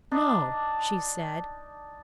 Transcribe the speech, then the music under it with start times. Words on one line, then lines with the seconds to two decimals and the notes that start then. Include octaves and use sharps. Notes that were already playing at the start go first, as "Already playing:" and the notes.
"No," she said.
0.11 D4 D#4